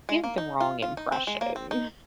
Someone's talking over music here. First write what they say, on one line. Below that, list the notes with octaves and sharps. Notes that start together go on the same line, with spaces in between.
give the wrong impression.
G#3
A#3
D#4
F4
F4
D#4
C4
G#3
A#3
C4
D#4